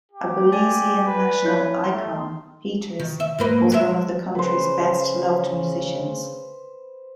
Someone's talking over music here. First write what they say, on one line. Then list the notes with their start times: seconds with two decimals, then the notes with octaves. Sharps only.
A Belizean national icon, Peters was one of the country's best loved musicians.
0.12 G4
0.52 D5 G#5
1.07 B4
1.44 E4 C#5 G6
1.84 A3 C6
2.99 D#3
3.20 E5
3.39 G#2 A#3 B4
3.72 G#3 E5
4.35 C#3 B4 C5